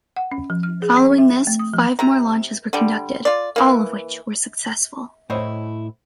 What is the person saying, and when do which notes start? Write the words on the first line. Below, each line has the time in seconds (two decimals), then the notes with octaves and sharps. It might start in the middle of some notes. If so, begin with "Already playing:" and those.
Following this, five more launches were conducted, all of which were successful.
0.16 F#5
0.32 C#4
0.50 F3
0.63 F6
0.82 G#4
0.97 C4
1.18 E5
1.47 A3
1.59 D#6
1.74 F3
1.99 C3 A#5
2.73 D3 G3
3.25 F4 D5
3.56 E3 A#3
5.30 A2 E4 C5 C#5 D#5